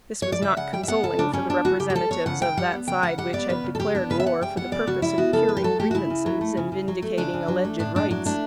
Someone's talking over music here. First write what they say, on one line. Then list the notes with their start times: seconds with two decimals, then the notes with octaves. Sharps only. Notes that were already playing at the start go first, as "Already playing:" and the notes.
This was not consoling for the representatives of that side which had declared war for the purpose of curing grievances and vindicating alleged rights.
0.22 C#5
0.32 D5
0.41 C#3 E5
0.57 C#3 F#5
0.73 G3 G5
0.83 E5
0.88 B3 F#5
1.03 C#3 A4
1.19 C#3 D4
1.33 G3 C#4
1.50 B3 D4
1.65 C#3 F#4
1.80 C#3 G4
1.90 G4
1.95 G3 A4
2.11 B3 C#5
2.26 C#3 F#5
2.42 C#3 G5
2.57 G3 F#5
2.72 B3
2.87 C#3 G5
3.03 C#3 F#5
3.18 G3 F#5
3.33 B3 D5
3.49 C#3 B4
3.64 C#3
3.75 A4
3.80 G3 G4
3.95 B3 D4
4.10 C#3 B4
4.20 E5
4.26 C#3 F#5
4.41 G3 G5
4.57 B3 F#5
4.72 C#3 D5
4.87 C#3 F#4
5.02 G3 E4
5.18 B3 F#4
5.33 C#3 A4
5.49 C#3 B4
5.57 G4
5.64 F#3 A4
5.80 A3 G4
5.91 F#4
5.95 C#3 E4
6.10 C#3
6.26 F#3
6.41 A3
6.57 C#3
6.72 C#3
6.88 F#3
7.02 A3
7.17 C#3 D4
7.34 C#3
7.48 F#3
7.65 A3
7.79 A2 D4
7.95 A2 D4
8.11 F#3 D4
8.25 A3 D4